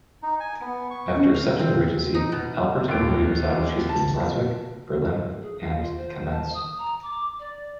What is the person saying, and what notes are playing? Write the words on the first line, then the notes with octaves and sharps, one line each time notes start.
After accepting the regency, Albert and Marie resided chiefly in Brunswick, Berlin, and Kamenz.
D#4
G#5
B3
C#6
F5
C4
D#4
B2
D#2 D7
A5
G#4
F5
F4
C5
C5
A5
D#6
A#5
D6
D5